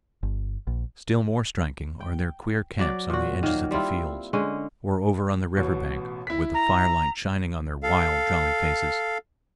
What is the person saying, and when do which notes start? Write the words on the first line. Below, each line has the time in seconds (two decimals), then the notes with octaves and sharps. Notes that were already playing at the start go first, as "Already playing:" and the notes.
Still more striking are their queer camps on the edges of the fields or over on the river bank, with the firelight shining on their wild jolly faces.
0.23 G1
0.67 A#1
2.00 G5
2.79 F#3 D5
3.10 A#2 F#4
3.43 D#3 F#3 A#3
3.71 G3 C4 E4 F4
4.33 D3 G#3 C#4
5.57 A1 B2
6.27 E4 B6
6.54 A#5
7.83 A4 F5